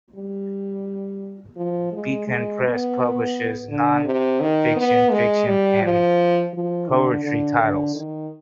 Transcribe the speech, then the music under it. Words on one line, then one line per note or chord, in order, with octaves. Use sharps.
Beacon Press publishes non-fiction, fiction, and poetry titles.
G3
F3
G#3
G#3
B3
D3
C3
D#3
B3
G#3
G3
F3
F3
D3
D3
D3
D#3